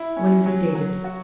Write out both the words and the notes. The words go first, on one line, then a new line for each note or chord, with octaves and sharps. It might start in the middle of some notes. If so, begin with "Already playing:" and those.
When is it dated?
Already playing: E4
C#4
F#3
F#3
F#4